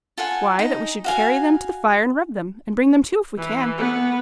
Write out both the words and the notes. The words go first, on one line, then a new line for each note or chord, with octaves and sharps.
"Why, that we should carry them to the fire and rub them, and bring them to if we can."
F4 A4 F#5 G#5
D#4
F#4 F5 G#5
E3
B3